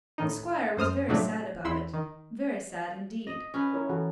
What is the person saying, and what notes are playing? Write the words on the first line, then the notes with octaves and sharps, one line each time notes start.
The squire was very sad about it,--very sad indeed.
A2 D#3 D#4
F#2 C5 D#6 F6
A2 C3 F3 F#3 A3 D4
E2 E4 C6 E6
D#3
D#5
C#4 B4
E4 A#4 C#5
E3 F#4 A4